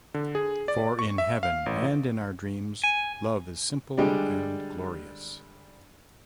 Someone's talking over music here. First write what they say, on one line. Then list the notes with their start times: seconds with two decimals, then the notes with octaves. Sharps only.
For in heaven and in our dreams, love is simple and glorious.
0.14 D3
0.35 G#4
0.68 D5
0.99 C#6
1.18 E5
1.43 F5
1.66 A1
2.84 G#5
3.97 D3 G3 G#3 D4